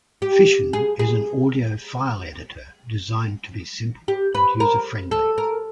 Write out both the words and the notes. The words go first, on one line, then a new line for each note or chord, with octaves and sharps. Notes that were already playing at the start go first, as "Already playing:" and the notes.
Fission is an audio file editor designed to be simple and user-friendly.
G4
G#4
G#4
G4
B4
A#4
A4
A#4